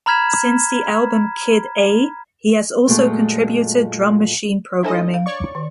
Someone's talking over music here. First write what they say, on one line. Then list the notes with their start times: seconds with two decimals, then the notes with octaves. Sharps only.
Since the album "Kid A", he has also contributed drum machine programming.
0.06 A#5 B5 F6 G#6 B6 E7
2.87 F#2 A#2 G#3 A3
4.83 D4 E4 A4 C5 D#5 G#5
5.14 F5
5.26 C#5 D5 C#6
5.55 D#3